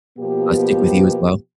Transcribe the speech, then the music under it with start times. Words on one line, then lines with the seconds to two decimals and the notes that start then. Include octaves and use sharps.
uh, stick with you as well?
0.18 B2 F3 A#3 B3 G4